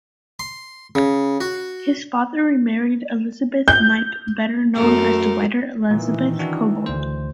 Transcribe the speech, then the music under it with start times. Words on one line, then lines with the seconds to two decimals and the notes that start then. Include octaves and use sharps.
His father remarried Elizabeth Knipe better known as the writer Elizabeth Cobbold.
0.39 C6
0.95 C#3
1.41 F#4
3.68 G6
4.75 F#2 A3 A#4
5.91 A#2 D#3 E3
6.39 D4 F#4
6.86 D2 C5